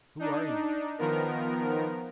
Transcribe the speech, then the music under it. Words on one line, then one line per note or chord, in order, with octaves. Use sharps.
"Who are you?"
D4 D#4
D#3 F3 B3 A#4